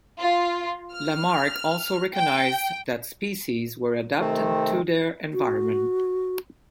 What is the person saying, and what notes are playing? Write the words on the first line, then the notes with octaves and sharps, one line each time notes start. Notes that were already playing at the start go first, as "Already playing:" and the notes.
Lamarck also recognized that species were adapted to their environment.
F4
F6
G5
C3 D#3 A3 C4
F#4